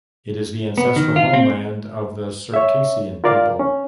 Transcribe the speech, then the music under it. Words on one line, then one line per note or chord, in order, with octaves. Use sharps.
It is the ancestral homeland of the Circassian people.
B3
D#3
F4
C4
C#5 E5
F4 A#4 D5 F5
C#4